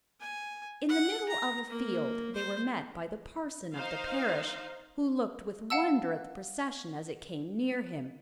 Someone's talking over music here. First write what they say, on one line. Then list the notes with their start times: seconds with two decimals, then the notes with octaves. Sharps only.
In the middle of a field they were met by the parson of the parish, who looked with wonder at the procession as it came near him.
0.20 G#5
0.89 F#5
1.29 A#5
1.69 A#3
2.35 C5
3.75 D#4 C5 F5
5.70 F5 F#5 A5 E6